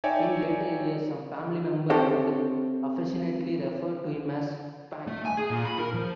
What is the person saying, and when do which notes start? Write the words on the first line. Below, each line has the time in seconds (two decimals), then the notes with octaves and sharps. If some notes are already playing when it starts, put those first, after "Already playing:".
In later years some family members would affectionately refer to him as Spank.
0.04 D#4 C#5 D5 E5 G5 G#5
1.90 C4 G4 A4 C5 C#5 E5
5.07 A3
5.26 G#5
5.37 G#4
5.50 A#2
5.65 B5
5.79 A#4
5.94 F3